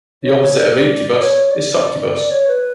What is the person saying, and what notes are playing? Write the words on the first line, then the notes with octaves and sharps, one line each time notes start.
The opposite of "incubous" is succubous.
C#5
D5
D5
C#5
D5
D5
C#5
B4